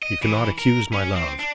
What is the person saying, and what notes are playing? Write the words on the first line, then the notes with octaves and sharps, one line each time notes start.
You cannot accuse my love.
D#5
E3
A#4
C#4
C4
D4